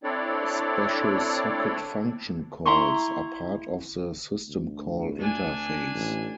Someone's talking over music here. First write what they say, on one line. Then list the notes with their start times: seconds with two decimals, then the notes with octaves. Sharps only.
Special socket function calls are part of the System Call Interface.
0.04 C4 D4 E4 A4 C#5 D5
2.66 E4 A#5 C6 C#6
4.49 D2
5.20 D4 G#5
5.94 A1